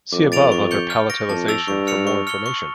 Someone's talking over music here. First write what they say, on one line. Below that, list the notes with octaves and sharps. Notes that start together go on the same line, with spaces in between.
See above under "Palatalization" for more information.
F2 D6
A6 D7 F7
C#6
G6 C#7 G7
F6
A#6 D7
F2 A5
E6 A6 D7 F7
G2 C#6
F6 C#7 F7
C#6
F6 C#7 G7
C#6